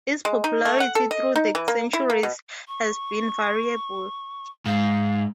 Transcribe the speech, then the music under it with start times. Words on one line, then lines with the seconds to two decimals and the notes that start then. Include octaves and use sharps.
Its popularity through the centuries has been variable.
0.25 G#3
0.44 D#4
0.65 A3
0.80 F#5
0.95 A4
1.11 D#5
1.36 D#4
1.55 E3
1.68 A#3
1.93 E4
2.10 A#3
2.23 B2
2.68 C#6
4.66 G#2 F5